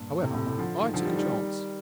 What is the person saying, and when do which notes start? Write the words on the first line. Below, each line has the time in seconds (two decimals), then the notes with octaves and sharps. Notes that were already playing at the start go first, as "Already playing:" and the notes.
However, I took a chance.
Already playing: G2 A#2
0.22 A2 C3
0.34 A2 C3
0.47 A2 C3
0.58 D3 F3
0.82 D#3
0.94 D3 F3
1.05 D#3 G3
1.17 D#3 G3